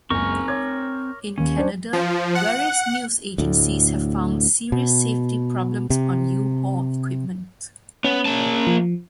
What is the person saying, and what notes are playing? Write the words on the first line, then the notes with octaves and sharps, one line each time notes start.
In Canada, various news agencies have found serious safety problems on U-Haul equipment.
F#1 C#2 C4 A#4 G#5 C#6
C#5 D6 G#6
D#1 D#2 C#4
D4 C5
F3
F#5
D2 A2
B2
C3
B3 C#4
A#3 A5
F3